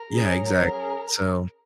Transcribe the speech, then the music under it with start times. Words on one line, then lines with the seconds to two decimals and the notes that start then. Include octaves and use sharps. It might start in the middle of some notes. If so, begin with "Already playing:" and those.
Yeah. Exact so,
Already playing: A#4
0.11 C#4 G#4
0.38 F#3
0.66 C#4 G#4